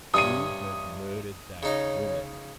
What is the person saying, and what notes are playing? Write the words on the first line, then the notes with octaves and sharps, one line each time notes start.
"You have murdered that woman."
G2 C3 C#4 D#6 D#7
C#3 D#4 C#5 D#5